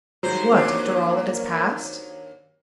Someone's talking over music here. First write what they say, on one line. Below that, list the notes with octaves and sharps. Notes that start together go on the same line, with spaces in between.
"What, after all that has passed?"
D#2 G#2 F#3 C5
D#2 A#3 C4 D4 C#5